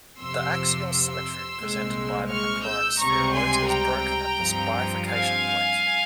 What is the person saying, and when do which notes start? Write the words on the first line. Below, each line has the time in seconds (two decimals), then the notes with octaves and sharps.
The axial symmetry presented by the McLaurin spheroids is broken at this bifurcation point.
0.19 F2 C3 F3 C6 E6
0.89 C6 E6
1.59 C2 A#2 G#3 C4
2.29 C#6 F6
2.64 E6 G6
2.99 C#2 C3 G3 C4 A#5 C#6
3.34 G#5 C6
3.69 G5 A#5
4.39 G2 F3 C4
5.08 F5 G#5